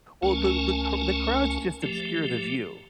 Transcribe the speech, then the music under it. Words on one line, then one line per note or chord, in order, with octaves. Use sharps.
Well, the the the cr the crowds just obscure the view,
C#2 A3 C#4 A#4 G#5 A5
F3 A3 G4